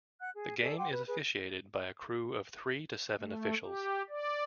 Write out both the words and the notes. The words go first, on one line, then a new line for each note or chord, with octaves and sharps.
The game is officiated by a crew of three to seven officials.
F#5 F#6
G#4
G#4 A4 D5
F#5 G5 C6 D6
B4
G#4 B4
A3
G4
D5